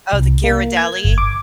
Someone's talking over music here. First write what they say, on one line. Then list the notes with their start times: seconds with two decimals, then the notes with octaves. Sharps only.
Oh, the Ghirardelli?
0.12 C2
0.44 A#3
0.77 G#6
1.04 G1
1.18 D6